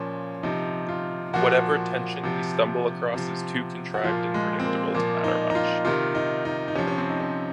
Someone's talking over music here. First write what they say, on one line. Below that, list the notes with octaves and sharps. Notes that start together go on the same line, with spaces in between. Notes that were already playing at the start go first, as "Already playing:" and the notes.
Whatever tension we stumble across is too contrived and predictable to matter much.
Already playing: A#2 F3 C#4
C3 F3 D#4
F4
A#2 F3 F#4
C3 F3
C3 F3
F#4
A#2 F3 F4
G#3
C4
A#3
A#2 F3 A#3
D#4
D#4
F4
C3 D#3 F4
D#4
D#4
D#4
C3 F3 C#4
C#4
C4
D#4
C#4